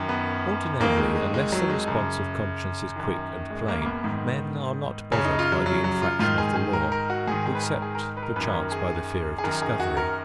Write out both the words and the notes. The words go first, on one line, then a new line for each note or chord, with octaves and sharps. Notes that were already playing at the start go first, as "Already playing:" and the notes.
Ordinarily unless the response of conscience is quick and plain, men are not bothered by the infraction of the law except, perchance, by the fear of discovery.
Already playing: F#2 D#3
B3
F2 D#3 A#3
G#3
G#3
G#3
F#3
G#3
F#2 C#3
F#2 D#3
G#3
A#3
A#3
B3
G#2 D#3
F#2 C#3 C#4
D#4
F4
F#3
F#3
F#3
F4
G#2 D#3 F4
G#4
G#4
A#4
A#4
F#4
G#2 D#3 G#4
G#4
B4
A#4
G#4
A#4
B4
A#4
F#2 D#3 B4
B4
A#4
G#4
G#4
F#2 D#3 A#4
G#4
F#4
A#4